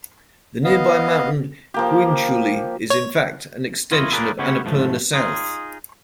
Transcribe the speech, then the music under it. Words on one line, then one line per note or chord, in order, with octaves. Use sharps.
The nearby mountain Hiunchuli is in fact an extension of Annapurna South.
B3 D#5 F5
F3 A#3 G4
C#5
F2 E4 F4 C#5 D#5
E4 F4 G#4 A#4 B4 D5
C#3 A3 B3 F#4 G4 C#5
G#2 F3 A3
D#4 F4 G#4